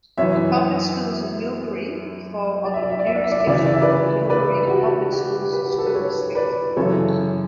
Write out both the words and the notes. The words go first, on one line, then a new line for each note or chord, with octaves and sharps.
Public schools in Millbury fall under the jurisdiction of Millbury Public Schools school district.
F#2 E3 C#5 E5
D5
E5
D5
E5
D5
E5
D5
E5
D5
E5
D2 C#3 E3 D5
E5
D5
E5
B4 D5
B4 D5
F#4
G4
G4
G4 B4
F#4
G4
A4
B4
A4 C#5
B4 D5
F#2 C#3 E3 A4 C#5